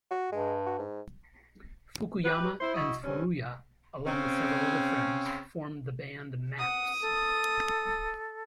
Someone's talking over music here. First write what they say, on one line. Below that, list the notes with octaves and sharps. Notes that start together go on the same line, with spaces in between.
Fukuyama and Furuya, along with several other friends formed the band Maps.
F#4
G2 G#3
F#4
G#2
G4 B4
E4 C5
E4 F#4 D#5
G2 C4 C#4
C#3 C4 C#4
F#5 D#6
A4